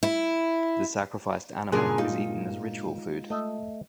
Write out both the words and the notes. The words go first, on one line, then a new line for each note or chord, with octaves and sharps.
The sacrificed animal is eaten as ritual food.
E4
G2 A#2 C#3 G#3 G#4 A#4 A5 F#6
G#3 D#4 F4 F5
A3 D#5 E5